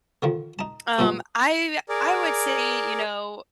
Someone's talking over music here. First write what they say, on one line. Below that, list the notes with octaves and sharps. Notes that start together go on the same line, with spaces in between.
um, I w I would say, you know,
D3 D#3 F3
D#4 A5
G2 A#2 F3 F#3
G#4 A#4 D5